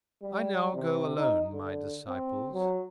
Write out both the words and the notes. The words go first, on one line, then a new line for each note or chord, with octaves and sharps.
I now go alone, my disciples!
G3
C3
D#4
D3
C4
F#3